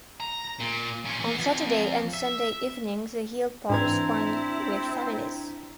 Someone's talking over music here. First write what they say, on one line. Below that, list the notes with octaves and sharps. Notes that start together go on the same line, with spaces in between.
On Saturday and Sunday evenings the hill park swarmed with families.
A#5
A#2
A#2 C#4
E3 B3
F2
E5
G#2 E3 C4 D4 E4 A#5 G#6